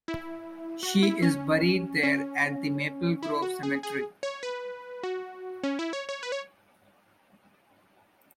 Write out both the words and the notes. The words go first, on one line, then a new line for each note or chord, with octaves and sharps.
She is buried there at the Maple Grove Cemetery.
E4
F#4
E4
C#4
C#4
E4
F#4
G#4
G#4
C#5
B4
F#4
C#4
E4
C#5
C#5
B4
C#5